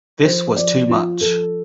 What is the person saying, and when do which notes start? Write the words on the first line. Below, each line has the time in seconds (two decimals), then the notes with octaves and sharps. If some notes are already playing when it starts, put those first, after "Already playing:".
This was too much.
0.24 F3 C5
0.57 F3 D5
0.89 F3 F4
1.21 F3 A4